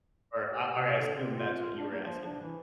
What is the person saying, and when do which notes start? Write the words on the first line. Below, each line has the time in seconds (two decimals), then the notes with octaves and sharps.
Or I or I assume that's what you were asking.
0.47 G4
0.77 C3
0.99 D3
1.15 C4
1.36 F4
1.60 F4
1.78 D4
1.90 A#3
2.04 F3
2.24 D4
2.41 E3